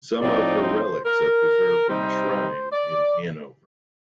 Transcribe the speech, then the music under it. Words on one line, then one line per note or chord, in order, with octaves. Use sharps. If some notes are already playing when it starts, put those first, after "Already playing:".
Some of her relics are preserved in a shrine in Hanover.
A2 F3 C4 D#4 D5
C5
A#4
C3 G3 C4 D#4 C5
D5